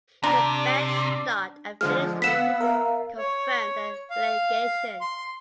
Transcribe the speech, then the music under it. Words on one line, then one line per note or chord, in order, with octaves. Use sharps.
The bad start and finish to the season confirmed the relegation.
C3 D4 D5 A#5
D3 F3 G#3 F6
B3 F5 F#5 E6 B6 E7
A#4 E5
C#5
F5
C6